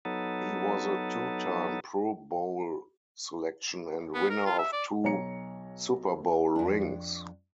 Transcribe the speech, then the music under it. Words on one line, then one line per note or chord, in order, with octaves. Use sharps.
He was a two-time Pro Bowl selection and winner of two Super Bowl rings.
F#3 B3 D#4 A4
B3
A#4
F4
E5
D5
B1 C#5 A#5 C#7
F2 D4